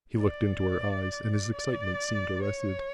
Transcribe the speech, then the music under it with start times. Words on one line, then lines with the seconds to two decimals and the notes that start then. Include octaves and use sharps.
He looked into her eyes, and his excitement seemed arrested.
0.19 D5
1.53 D5
2.43 C#5